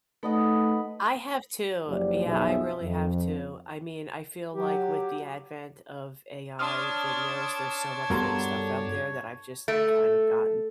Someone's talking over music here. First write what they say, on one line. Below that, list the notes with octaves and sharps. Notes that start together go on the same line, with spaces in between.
I have too, yeah, I really have too, I mean, I feel like with the advent of AI videos, there's so much fake stuff out there that I've just kind of gotten
A3 D#4 A4 B4 D#5 F#5
F#1 F3 F#3 G4 D5
B1 F2 B2 F#3 G#4 E5
F2
F#3 G4
D4 C#5 A5 C6 D#6 F6
G2 B3 F#4 A4 A#4 C6
A3